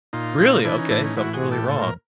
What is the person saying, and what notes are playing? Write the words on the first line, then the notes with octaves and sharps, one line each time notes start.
Really? Okay, so I'm totally wrong.
A#2 D#4 F4
A#2
E3 D4 E4
C#4 D#4
A2 D4 E4
C#4 D#4
E3 E4 F#4
F#4 G#4
A2
G4 A4
A#2 A4
A#4